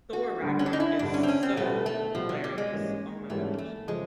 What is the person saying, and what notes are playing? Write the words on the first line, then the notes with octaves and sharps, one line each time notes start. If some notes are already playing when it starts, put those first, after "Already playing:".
Thor: Ragnarok is so hilarious. Oh my gosh.
F#4
G1 G2 D3
C#4
D4
D#4
E4
G1 G2 D3 D4
C#4
C4
C#4
C4
B2 G3 A3 B3
A3
B2 F3 G3 B3
F#3
G3
G#3
G#2 E3 G3 A#3 C#4
G#2 E3 G3 A3 A#3 C#4
A3
C#3 F3 G#3